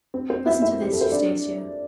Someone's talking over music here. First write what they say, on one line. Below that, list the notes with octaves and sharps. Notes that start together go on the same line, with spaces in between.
Listen to this, Eustacia.
C4
C4 C5
E4 E5
E4 E5
G4
A4
C5
D4 D5